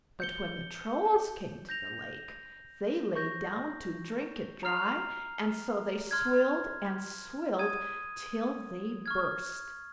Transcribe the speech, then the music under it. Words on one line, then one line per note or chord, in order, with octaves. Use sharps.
But when the Trolls came to the lake, they lay down to drink it dry; and so they swilled and swilled till they burst.
G6 C#7 G7
G6 A#6 F7
C#6 G6 A#6
A#5 F6 C7 F7
C6 F6 G#6
D#6 G#6 D#7
C#6 F6 G#6